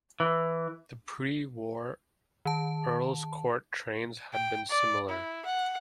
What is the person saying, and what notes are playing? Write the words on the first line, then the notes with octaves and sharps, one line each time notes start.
The pre-war Earls Court trains had been similar.
E3
D#3 A5
G5
D5
E4
F#5